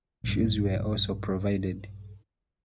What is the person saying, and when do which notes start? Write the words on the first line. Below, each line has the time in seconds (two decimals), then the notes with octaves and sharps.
Shoes were also provided.
0.24 A#1 G2